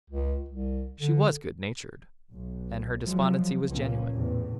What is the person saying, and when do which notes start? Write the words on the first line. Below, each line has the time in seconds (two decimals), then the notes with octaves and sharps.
She was good-natured, and her despondency was genuine.
0.10 C#2
0.49 C2
1.00 D3
2.32 B1
3.03 F3 F#3 G#3
3.69 C#2 A#2 F3 A#3 C#4
4.12 E2 A2 C3